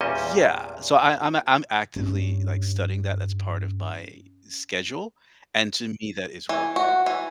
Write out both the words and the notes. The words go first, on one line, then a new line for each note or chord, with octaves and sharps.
Yeah, so I I'm a I'm actively, like, studying that, that's part of my schedule, and to me, that is work.
E2 A#2 G3 C#4 D#5 E5
G2 C4 C#4
E3
F#4
E3